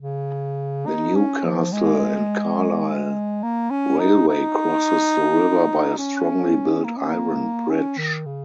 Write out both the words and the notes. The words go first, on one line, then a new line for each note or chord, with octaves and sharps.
The Newcastle and Carlisle Railway crosses the river by a strongly built iron bridge.
C#3
D#4
C#4
F3
G#3
A#3
C#4
D#4
D#4
C#4
A#3
C#4
A#3
C#4
D#3
C#3